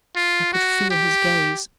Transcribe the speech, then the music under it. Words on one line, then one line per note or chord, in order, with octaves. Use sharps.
I could feel his gaze.
F4
F#4
G4